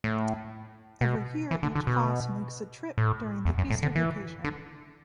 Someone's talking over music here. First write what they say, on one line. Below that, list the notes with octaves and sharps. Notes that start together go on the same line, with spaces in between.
Every year each class makes a trip during the Easter vacation.
A2
B2
E3
D3
D3
B2
A2
E2
F#2
A2
D3
E3
D3